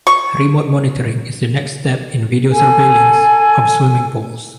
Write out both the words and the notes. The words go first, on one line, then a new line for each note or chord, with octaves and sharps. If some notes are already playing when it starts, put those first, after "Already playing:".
Remote monitoring is the next step in video surveillance of swimming pools.
C#6
A4 G#5